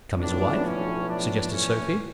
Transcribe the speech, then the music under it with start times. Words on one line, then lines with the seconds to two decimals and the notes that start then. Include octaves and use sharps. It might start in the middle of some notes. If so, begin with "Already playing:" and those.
"Become his wife?" suggested Sophie.
0.19 B1 A2 F3 D4
0.64 C#4
1.08 D4
1.52 C#4